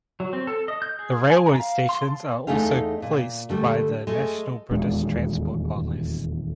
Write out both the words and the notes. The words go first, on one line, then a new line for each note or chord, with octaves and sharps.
The railway stations are also policed by the national British Transport Police.
F#3
C4
A4
D#5
G6
G#4
G#5
A#5
F5
C6
A5
E2 F#3 A3 D#4 G#4 F5
A#2
D3 G3 A3
G#3 A3 A4
D#1 E2 G#3 D4